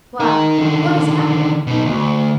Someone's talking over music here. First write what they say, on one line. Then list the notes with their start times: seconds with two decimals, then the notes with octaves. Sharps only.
"Why, what has happened?"
0.20 D#4 A#4
0.58 D3 D#3
1.67 B2 D#4
1.86 D2